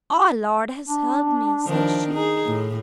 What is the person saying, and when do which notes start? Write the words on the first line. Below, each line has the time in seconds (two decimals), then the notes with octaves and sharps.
"OUR LORD has helped me," said she.
0.88 D4
1.67 D#3 F3 D4
2.14 D#4 G#4
2.46 A2